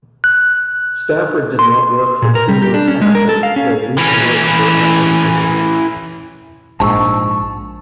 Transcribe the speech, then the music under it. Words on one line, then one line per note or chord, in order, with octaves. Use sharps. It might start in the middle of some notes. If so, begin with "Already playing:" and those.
Stafford did not work for three months after then re-commenced her acting career.
F#6
C6
A#2
A#4
G3
G4
D4
C#4
G#3
A#4
A4
F5
C#4
E3 C#4
A#1 G#2 A5 C#6 E6